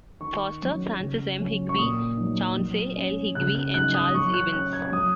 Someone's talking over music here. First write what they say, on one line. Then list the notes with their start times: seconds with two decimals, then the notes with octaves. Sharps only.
Foster, Francis M. Higbee, Chauncey L. Higbee and Charles Ivins.
0.21 D#3 C#6
0.61 F#3 C#4
0.99 C#3
1.39 F#3 C#4
1.69 C#6
1.78 A#2 D#6
2.17 F#3 D#4
2.57 F#3
2.96 C#4
3.35 C#3 F#6
3.55 F#6
3.74 F#3 D#4 F#6
3.94 D#6
4.13 F#3 C#6
4.34 F#6
4.53 C#4 F#6
4.73 G#6
4.92 F#3 D#6